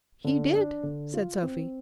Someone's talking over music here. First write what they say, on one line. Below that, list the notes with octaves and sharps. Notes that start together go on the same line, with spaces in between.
"He did," said Sophy.
D3
D4
D3
F4
C4